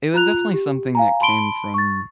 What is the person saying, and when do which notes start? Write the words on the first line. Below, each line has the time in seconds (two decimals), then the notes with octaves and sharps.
it was definitely something that came from
0.14 F4 A#5 F#6 F7
0.54 G4
0.95 F5 G#5 A#5
1.21 A5 B5 C6 D7 G7
1.74 C#6 A6